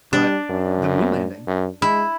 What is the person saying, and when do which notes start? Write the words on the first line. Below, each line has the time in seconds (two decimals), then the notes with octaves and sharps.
but the moon landing.
0.13 G3 D4
0.50 F#2
1.47 F#2
1.82 G#3 E4